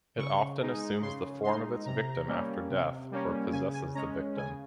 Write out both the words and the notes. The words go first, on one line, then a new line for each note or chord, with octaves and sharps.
It often assumes the form of its victim after death or possesses the victim.
C#3 C#6
G#3 D#4
C#3 C6
G#3 D#4 C6
C3 A#5
G3 A#3 C#4
C3
G3 A#3 C#4
C#3 G#5
G#5
G#3 C#4 A#5
C#3 G#5